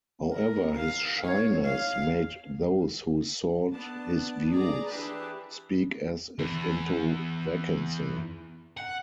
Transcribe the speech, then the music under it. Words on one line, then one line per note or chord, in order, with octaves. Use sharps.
However his shyness made those who sought his views... speak as if into vacancy.
A#4
F5
C#5
F5
B3 D4 A5
G#4 D5 A#5
E3 D4 G4 G#4 B4 A5
E2
F#5